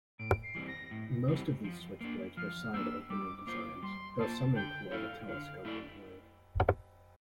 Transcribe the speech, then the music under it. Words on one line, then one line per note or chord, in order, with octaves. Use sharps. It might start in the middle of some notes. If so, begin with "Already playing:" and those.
Most of these switchblades were side-opening designs, though some employed a telescoping blade.
A2 D7
C7
E3 G3 C4
A#6
A2
E3 G3 C4
F3
A#3 D4
F3 F6
A#3 D4 E6
G3 D6
A#3 F4 C5 D6
G3 C6
A#3 F4 C5 A5
D3 G5
A3 E4 A4 D5 F5
D3 F5
A3 E4 A4 D5